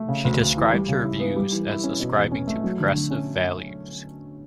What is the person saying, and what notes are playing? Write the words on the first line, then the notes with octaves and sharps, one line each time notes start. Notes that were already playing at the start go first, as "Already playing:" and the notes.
She describes her views as ascribing to progressive values.
Already playing: A3
C#3
D2
D2
E3
G3
C#3
E4
B3
G3
E3
E4
C#4
B2
E2
C#4
A3
F#3
D3
D3
C#4